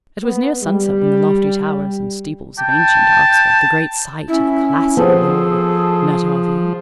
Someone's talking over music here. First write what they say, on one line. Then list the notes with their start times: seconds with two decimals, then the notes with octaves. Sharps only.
It was near sunset when the lofty towers and steeples of ancient Oxford, the great site of classic lore, met our view.
0.23 B3
0.63 G3
2.59 G5 A5
4.28 C#4 E4
4.97 F3 B3 C4 G#4 A4